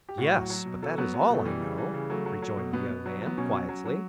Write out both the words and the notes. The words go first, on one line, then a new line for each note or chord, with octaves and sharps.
"Yes, but that is all I know," rejoined the young man, quietly.
G4
A2 F#4
F#3
F#3
B2
F#3 A4
F#3 B3
F#3
B2
A3
E3 G3
C#3
E3
C#3
F#3 A3
F#3
F#3
B2
B2 B3
B2
F#3
F#3 B3
B2 C#4
F#3
F#3
F#3